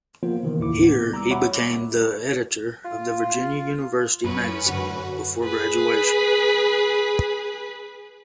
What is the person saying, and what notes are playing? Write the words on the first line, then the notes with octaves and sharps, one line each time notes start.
Here he became the editor of the Virginia University Magazine before graduation.
F3 A#3 B3 F4 C5
C3 D#3 E3
D#2 A2 E4 D6
B3
G3 A#5 D6 E6
C#5 E5 F#5 B5 C#6 D6
F4
F#2 C#4 B4
F#2 D3 F#4
G#4 B4